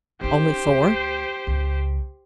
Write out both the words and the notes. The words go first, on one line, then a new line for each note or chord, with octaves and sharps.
Only four?
C#4 D#4 G4 C5
D2
C#2 C#3